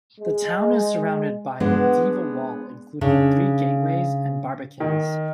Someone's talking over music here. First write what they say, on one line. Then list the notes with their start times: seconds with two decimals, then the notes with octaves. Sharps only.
The town is surrounded by a medieval wall including three gateways and barbicans.
0.19 G#3
1.60 G#3 B3 D4
3.01 C#3 D4
4.80 D#3